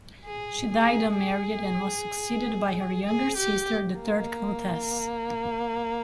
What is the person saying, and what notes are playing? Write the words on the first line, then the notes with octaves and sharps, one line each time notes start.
She died unmarried and was succeeded by her younger sister, the third Countess.
G#4
G#4
G#4
G#4
G4
A#3